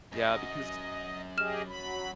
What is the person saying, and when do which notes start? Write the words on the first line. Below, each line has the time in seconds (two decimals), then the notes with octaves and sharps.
Yeah, because
0.12 F#2 D#5
1.38 G4 G#4 D#5 F6 E7
1.68 F#3 B5